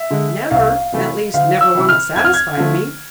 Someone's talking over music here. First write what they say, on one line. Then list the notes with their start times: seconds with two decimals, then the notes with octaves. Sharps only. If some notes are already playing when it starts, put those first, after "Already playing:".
"Never; at least, never one that satisfied me."
Already playing: E5
0.10 D3 G#3
0.51 C2 F5
0.92 C3 E3 A3
1.34 D2 F5
1.61 E6
1.75 C3 E3
1.89 F6
2.16 F2 G#6
2.25 F6
2.34 G#6
2.57 D3 F3 A3